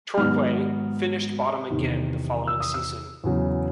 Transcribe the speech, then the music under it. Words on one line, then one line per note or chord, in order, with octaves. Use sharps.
Torquay finished bottom again the following season.
G#2 D#3 F#3 B3 F6
E2 C3 D#3
E6
D#6
E6
E2 C#3 F#3